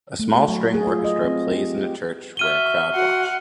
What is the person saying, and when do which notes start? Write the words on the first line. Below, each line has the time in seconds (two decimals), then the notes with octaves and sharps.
A small string orchestra plays in a church where a crowd watched.
0.19 A3
0.34 F#4
0.48 F#3
0.74 G#4
0.87 F4
1.04 D#5
1.24 C4
1.52 G4
1.78 G4
2.37 F#4 E5 F6 D#7 G7
2.95 F#4 F#5 C6